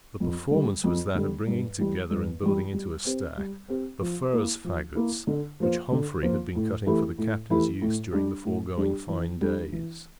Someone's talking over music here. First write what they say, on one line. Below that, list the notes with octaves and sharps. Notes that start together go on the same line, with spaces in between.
The performance was that of bringing together and building into a stack the furze faggots which Humphrey had been cutting for the captain's use during the foregoing fine days.
F2
D3 G3
F2
D3 G3
G2
E3 G3
G2
E3 G3
G3
C4 G4 C5
G3
C4 G4 C5
F3
A#3 E4
F3
A#3 E4
D3
F3 A#3 F4 C5
D3
F3 A#3 F4 C5
A2
E3 A3 E4 G4
A2
E3 A3 E4 G4
A2
G3 D4 G4
A2
G3 D4 G4
E3
G3 D4 A4
E3